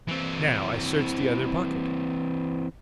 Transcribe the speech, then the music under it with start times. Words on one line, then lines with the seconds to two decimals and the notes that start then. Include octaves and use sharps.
Now I search the other pocket....
0.08 E3 C4